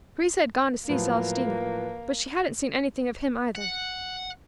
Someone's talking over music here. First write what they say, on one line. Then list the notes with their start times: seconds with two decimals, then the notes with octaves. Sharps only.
Teresa had gone to see Celestina, but she hadn't seen anything of him either.
0.89 A2 F3 F#3 A#3 B4
3.55 F#5